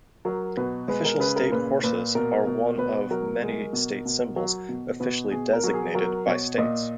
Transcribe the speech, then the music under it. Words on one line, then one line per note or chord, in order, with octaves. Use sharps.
Official state horses are one of many state symbols officially designated by states.
F#3 A#4
B2 B4
G#3 B4
A#4
C#3 B4
A#4
A#2 B4
A#2 B4
B2 A#4
B2
B2 B4
F#3 A#4
G#3
B2
B2
F#3
B2
B2 B4
B2 G#4
A#4
F#3
G#4
F#3 A#4
B2 C#5
A#2 D#5